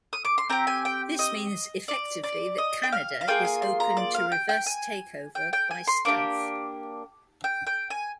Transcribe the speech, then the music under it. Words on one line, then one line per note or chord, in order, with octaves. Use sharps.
This means effectively, that Canada is open to reverse takeover by stealth.
D#6
D6
C6
C4 G4 A#5
G#5
G5
D#5
D5
D5
D#5
G5
F5
F5
A#3 F4 G#4 G5
G#5
C6
A#5
D5
F5
G5
G5
G#5
G5
G5
G#5
C6
A#3 D4 G4 D6
G5
G5
G#5